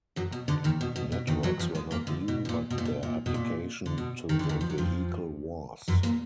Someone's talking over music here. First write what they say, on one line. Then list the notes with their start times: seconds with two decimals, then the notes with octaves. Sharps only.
Networks were not new, but their application to the vehicle was.
0.16 F#2 F#3
0.32 B2
0.48 D2 D3
0.64 D#2 D#3
0.81 B2
0.96 B2
1.12 B2
1.27 D#2 D#3
1.43 F#2 F#3
1.59 F2 F3
1.75 G#2 G#3
1.91 A#2 A#3
2.07 D2 D3
2.28 B2
2.45 B2
2.49 A#2
2.70 B2
2.78 A#2
2.85 B2
3.03 A#2
3.26 B2
3.34 A#2
3.86 D3
3.98 B2
4.29 D#3
4.39 D3
4.49 D#2 D#3
4.61 F3
4.70 F#3
4.78 F2 F3
5.88 F#2 F#3
6.03 A#2 A#3